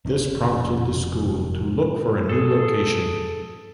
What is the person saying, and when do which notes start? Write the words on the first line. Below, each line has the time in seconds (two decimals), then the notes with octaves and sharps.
This prompted the school to look for a new location.
0.05 F1 D3 C#4
2.29 G#4 A4